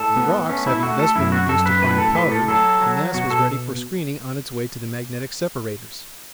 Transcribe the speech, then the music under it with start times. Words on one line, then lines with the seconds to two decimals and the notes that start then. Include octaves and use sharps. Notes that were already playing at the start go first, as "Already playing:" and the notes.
The rocks having thus been reduced to fine powder, the mass was ready for screening on its way to the magnetic separators.
Already playing: A2 A4
0.16 B3
0.49 A3 C#4
0.67 E4
0.83 A3 F#4
0.99 A4
1.16 F#2 E4
1.32 F#4
1.49 F#2 A4
1.66 B4
1.82 A2 B4
1.98 A4
2.15 A2 B4
2.32 A4
2.48 F#3 A4
2.81 F#3
3.14 B2 F#4
3.31 A4